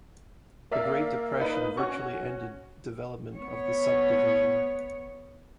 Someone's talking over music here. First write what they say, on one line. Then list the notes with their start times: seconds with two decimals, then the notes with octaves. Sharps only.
The Great Depression virtually ended development of the subdivision.
0.72 A#3 D5 E5 F5
1.40 D#4 B4
1.77 C#4 F#4 C#6
3.36 B3 C#5